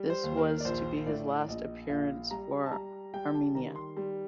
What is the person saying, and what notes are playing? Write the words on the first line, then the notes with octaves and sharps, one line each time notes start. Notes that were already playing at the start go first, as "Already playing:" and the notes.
This was to be his last appearance for Arminia.
Already playing: G3
C5
D#2
A#4
D5
A#1 C5
A2 D5
A#1 D#5
A#1 F5
G3 A#5
A5
G3 A#5
G3 G5
A5
D#3 A#5
C6
G3